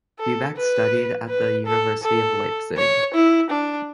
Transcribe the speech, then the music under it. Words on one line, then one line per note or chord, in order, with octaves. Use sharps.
Buback studied at the University of Leipzig.
A4
B4
B4
A4
A4
C#5
E4
D4